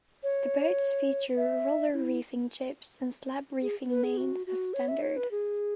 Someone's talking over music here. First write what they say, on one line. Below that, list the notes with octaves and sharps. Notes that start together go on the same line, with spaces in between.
The boats feature roller reefing jibs and slab reefing mains as standard.
C#5
E5
E4
G#4
B4
G#4
F#4
F#4
C#5
E5
C#5
B4
G#4